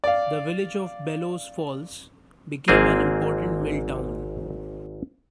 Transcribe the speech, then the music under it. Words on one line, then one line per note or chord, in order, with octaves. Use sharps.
The village of Bellows Falls became an important mill town.
D5 F5
G#1 G#2 A#3 C4 G#4